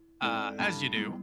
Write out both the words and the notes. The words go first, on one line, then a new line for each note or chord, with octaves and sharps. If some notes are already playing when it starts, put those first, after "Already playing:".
uh, as you do,
Already playing: E4
G#2 C4 E4 A4 D5
G2
G#2 G3 B3 E4